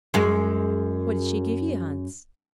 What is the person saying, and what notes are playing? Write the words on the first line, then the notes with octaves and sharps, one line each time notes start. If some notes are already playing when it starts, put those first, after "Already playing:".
'What did she give you, Hans?'
F#2 G#3